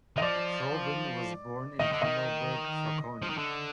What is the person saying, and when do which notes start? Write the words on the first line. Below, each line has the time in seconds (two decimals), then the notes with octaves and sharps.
Froben was born in Hammelburg, Franconia.
0.17 D#3 D#5
0.22 F3 D5
1.79 D#3 D#5
1.92 D3
2.02 D#3 D#5
3.22 F3
3.30 D#3
3.38 D3